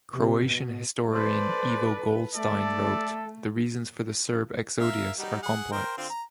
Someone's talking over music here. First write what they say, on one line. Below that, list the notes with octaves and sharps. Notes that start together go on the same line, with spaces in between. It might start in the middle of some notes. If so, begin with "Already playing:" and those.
Croatian historian Ivo Goldstein wrote, The reasons for the Serb exodus are complex.
C3
B2
A4 B4 C5 D5
A3 A4 D5 E5
A#4 E5 F5
G3 D#4 F#4
G#4 F#5
A#4 C5 G5
D3 C4 F4
A#5